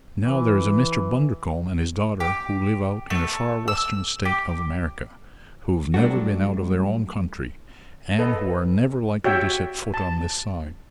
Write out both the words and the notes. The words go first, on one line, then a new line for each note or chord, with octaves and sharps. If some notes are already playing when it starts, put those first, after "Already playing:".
Now there is a Mr. Bundercombe and his daughter, who live out in a far-western State of America, who've never been out of their own country, and who are never likely to set foot on this side.
E3
G4
A3
E6
G4
F#3 G3 A3 D4 F#4
A4 B4 D#5
F#4 G4 C#5 E5 G5
A5